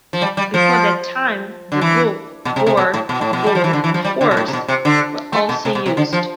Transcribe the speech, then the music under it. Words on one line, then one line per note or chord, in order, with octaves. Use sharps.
Before that time, the wolf, boar, bull and horse were also used.
F3
G3
G3
F3
D3
E3
B2
C3
C3
B2
A2
B2
A2
B2
G3
F3
E3
D3
E3
F3
G3
D3
B2
A2
C3
B2
C3
D3
A3
B2
C3
B2
C3
D3
F3